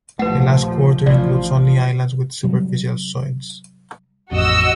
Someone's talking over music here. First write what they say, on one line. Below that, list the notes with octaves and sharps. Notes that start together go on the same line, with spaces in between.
The last quarter includes only islands with Superficial soils.
A#1 D#2 F3 A3 B4 F#5
A1 F3 D5
C3 F#3 G3
A1 F2 F#4 D#5 E6